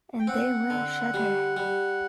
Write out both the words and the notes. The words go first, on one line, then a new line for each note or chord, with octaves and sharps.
And they will shudder.
G5
C4 F#5
D3
G3
G3